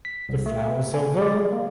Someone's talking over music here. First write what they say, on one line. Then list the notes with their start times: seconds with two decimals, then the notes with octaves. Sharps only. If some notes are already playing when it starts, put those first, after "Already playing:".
The flowers of var.
0.05 B6
0.29 C2
0.46 A3
0.94 G#5
1.22 D5
1.52 A#3